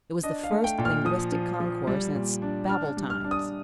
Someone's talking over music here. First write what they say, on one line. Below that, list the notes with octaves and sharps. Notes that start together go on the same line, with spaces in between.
It was the first linguistic concourse since Babel times.
D4 D#5
F5
A3
G5
A#2
F6
F3 D#6
F3
F3
G3
A#2
D4
D4 F6
G3
F6
D4
D#6